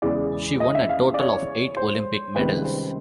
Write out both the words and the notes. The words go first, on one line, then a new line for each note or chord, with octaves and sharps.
She won a total of eight Olympic medals.
E2 C#3 E3 G#3 D5
D#5
E5
F5
D5
C#5
C5
C#2 C3 D#3 G3 B4
C5